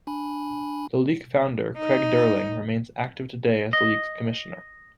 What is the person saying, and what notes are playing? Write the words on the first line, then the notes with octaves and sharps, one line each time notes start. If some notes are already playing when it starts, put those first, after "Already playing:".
The league founder, Craig Durling, remains active today as the league's Commissioner.
D4 G#5 B5
D#4
D#5